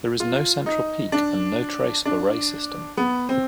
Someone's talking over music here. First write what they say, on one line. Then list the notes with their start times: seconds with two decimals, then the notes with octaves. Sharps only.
There is no central peak, and no trace of a ray system.
0.20 F4
0.66 D#4
1.12 D4
2.05 D4
2.97 B3
3.29 C4